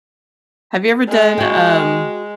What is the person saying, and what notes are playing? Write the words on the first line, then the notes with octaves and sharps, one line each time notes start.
Have you ever done, um
G#3
F#4 G5